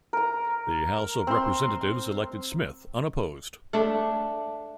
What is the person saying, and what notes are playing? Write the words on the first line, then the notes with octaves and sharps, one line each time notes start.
The House of Representatives elected Smith unopposed.
A#4 A#5
C4 C6
A3 D4